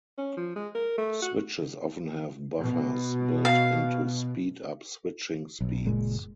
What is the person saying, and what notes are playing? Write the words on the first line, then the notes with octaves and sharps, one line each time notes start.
Switches often have buffers built in to speed up switching speeds.
C#4
F3
G#3
A#4
A3
F#4
B2
F5
B1
F#1 A#2 G#3